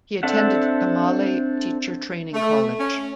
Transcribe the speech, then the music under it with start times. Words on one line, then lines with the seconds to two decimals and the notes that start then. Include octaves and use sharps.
He attended Tamale Teacher Training College.
0.23 C4 D4 A4 E5 F#5
2.33 A3
2.79 C#4